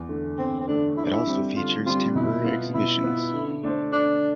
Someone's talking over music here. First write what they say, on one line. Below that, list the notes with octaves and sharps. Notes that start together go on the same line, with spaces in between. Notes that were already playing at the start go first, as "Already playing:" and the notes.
It also features temporary exhibitions.
Already playing: E2
D3 A3
E2 C4
C4
D3 A3 D4
D3 E4
D4
E4
G3 C4
D3 F4
G3 C4 F4
B2 E4
B3 F4
B2 E4
B3 F4
D3
A3 D4 A4 C5
D3 D4